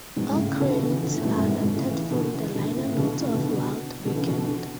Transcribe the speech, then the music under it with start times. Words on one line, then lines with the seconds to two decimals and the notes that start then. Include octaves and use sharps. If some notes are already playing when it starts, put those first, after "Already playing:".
All credits are adapted from the liner notes of "Wild Weekend".
0.16 G#2 B2
0.32 A2 C#3
0.46 A2 C#3
0.60 B2 D3
0.68 C#3
0.74 B2 D3
0.89 C#3 E3
1.03 B2 D3
1.16 A2
1.25 G#2 B2
1.35 F#2 A2
1.46 G#2 B2
1.61 B2 D3
1.75 A2 C#3
1.90 C#3 E3
2.11 B2 D3
2.33 C#3 E3
2.55 B2 D3
2.76 A2 C#3
2.93 C#3
2.97 B2 D3
3.19 A2 C#3
3.33 B2 D3
3.49 B2 D3
4.06 B2 D3
4.16 C#3 E3
4.27 B2 D3
4.38 B2 D3